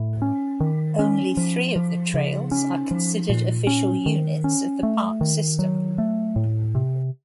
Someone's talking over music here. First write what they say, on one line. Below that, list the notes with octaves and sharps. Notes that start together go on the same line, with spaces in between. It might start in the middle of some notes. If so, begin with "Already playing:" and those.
Only three of the trails are considered official units of the park system.
Already playing: A2
C#4
D#3
C#4
F3
F3
C#3
C#4
F3
A#2
C#4
D#3
C#4
A3
D#3
F#3
A3
A2
C3